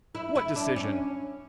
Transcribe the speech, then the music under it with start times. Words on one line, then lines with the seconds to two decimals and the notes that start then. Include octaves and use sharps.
What decision?
0.15 E4
0.35 E4
0.56 D4
0.76 C#4